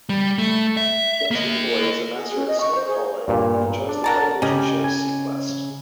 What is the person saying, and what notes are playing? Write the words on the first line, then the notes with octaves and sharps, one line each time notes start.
Canteen Boy is a master at snake-calling, and he enjoys the television show "Seaquest".
G3
A3
E5
A#3 D#5
G#4
C#4
D#5
C#6
C5
G#4
G2 A#2
D4
F#4 A#4 A5
C#3 C#4 G4 D#5
G#5